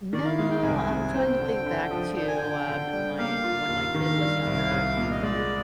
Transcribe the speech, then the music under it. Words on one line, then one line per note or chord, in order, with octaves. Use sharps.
No, I'm trying to think back to, um, my when my kid was younger
D#3 D5
F5
G#3 F5
G5
C2 G#5
C3
C4 G5
D3
D3
F3
D4 G5
G#5
G5
D3
D3
G3
A#3 F5
F4
D#2
D#3
G3
C2
C2
A#2
D#5
G#3 D5